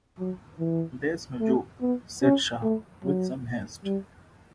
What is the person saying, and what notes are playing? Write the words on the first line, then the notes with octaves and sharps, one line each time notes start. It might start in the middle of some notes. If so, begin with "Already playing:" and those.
"There's no joke," said Shah, with some haste.
F#3
E3
A3
B3
C#4
A3
F#3
G3